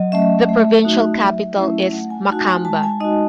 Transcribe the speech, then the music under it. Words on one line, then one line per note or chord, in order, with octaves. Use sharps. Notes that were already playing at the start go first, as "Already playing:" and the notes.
The provincial capital is Makamba.
Already playing: F#3 D#5
A3 C#4 E5
A3
D#4 F#4
F#3
A3 C#4 E4
A3 F#5
G#5
D#4 F#4 A5
G#5
G#3 A5
G#5
D#4 F#4 D#5